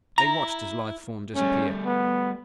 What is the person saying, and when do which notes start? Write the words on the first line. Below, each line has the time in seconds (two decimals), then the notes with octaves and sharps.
They watched his lithe form disappear.
0.18 E4 A#5
1.36 G3 A3 C#4
1.85 B3